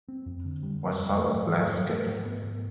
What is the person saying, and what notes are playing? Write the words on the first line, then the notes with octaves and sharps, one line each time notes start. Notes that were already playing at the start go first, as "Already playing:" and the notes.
What sort of landscape?
C4
F2
D3
G3
C4
F2
A3
G#2
D#3
F#3
A3
G#2
B3
G#2